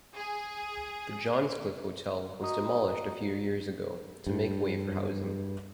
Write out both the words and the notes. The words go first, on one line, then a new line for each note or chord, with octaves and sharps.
The Johnscliffe Hotel was demolished a few years ago to make way for housing.
G#4
F#4 D#5 A#5 D#6
G2